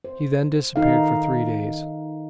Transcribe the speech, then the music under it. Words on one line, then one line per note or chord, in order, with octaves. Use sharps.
He then disappeared for three days.
C5
D#3 D#4 A4 F5